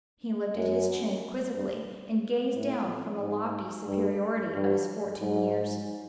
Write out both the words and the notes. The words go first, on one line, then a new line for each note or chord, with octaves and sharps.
He lifted his chin quizzically, and gazed down from the lofty superiority of his fourteen years.
F#2
G2
A2
G#2
G2
G2
G#2